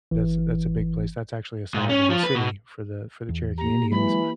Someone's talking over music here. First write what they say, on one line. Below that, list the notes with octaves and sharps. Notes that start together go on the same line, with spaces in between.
that's that's a big place, that's actually a sovereign city for the for the Cherokee Indians,
G1 E3
G#2
C#4
F3
B4
B2
E2
A#3 G4 A#5
E3 F#3 G#3 B5